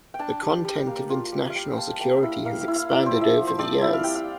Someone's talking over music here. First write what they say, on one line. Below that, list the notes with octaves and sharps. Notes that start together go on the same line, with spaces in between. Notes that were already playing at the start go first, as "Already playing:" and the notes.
The content of international security has expanded over the years.
G5
D4 A5
G3
G3
A#3
F4
G3
F5
G3 G5
A#3 A5
A#3 G5
E4
A#3 F5
F5
E4
F5
E4 D5
C5
F3
E5
F3
C5
C4 D5
E4 E5
F5
G3 G5
F5